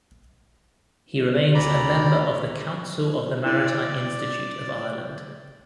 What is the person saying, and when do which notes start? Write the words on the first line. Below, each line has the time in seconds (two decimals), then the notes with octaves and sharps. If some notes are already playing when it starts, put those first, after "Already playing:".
He remains a member of the Council of the Maritime Institute of Ireland.
1.54 D2 D5 A#5 B5
3.46 E4 D5